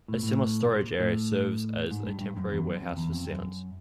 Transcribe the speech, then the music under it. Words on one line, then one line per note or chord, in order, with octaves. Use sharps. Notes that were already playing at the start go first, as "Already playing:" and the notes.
A similar storage area serves as a temporary warehouse for sounds.
A2
A2
A2
A#2
A2
G#2
G2
G2
F#2
E2
F#2
F2
E2
F2
F#2